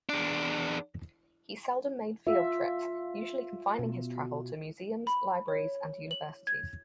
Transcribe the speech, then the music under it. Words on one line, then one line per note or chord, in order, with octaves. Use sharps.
He seldom made field trips, usually confining his travel to museums, libraries and universities.
E2 D4
F4 E5
B2
B5
C#5
F#7
G#6